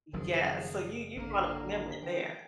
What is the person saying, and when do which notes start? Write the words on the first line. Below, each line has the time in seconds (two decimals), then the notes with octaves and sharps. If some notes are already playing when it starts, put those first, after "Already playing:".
Yeah, so you you brought up a memory there.
0.13 F#1 F#2 D#3 F3 G#4
1.17 A1 D3 A#3
2.03 E3 G5